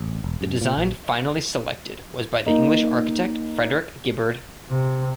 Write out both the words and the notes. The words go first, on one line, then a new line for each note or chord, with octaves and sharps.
The design finally selected was by the English architect Frederick Gibberd.
A1
E1
F#2
A#2
A#1
A#3 D#4
C3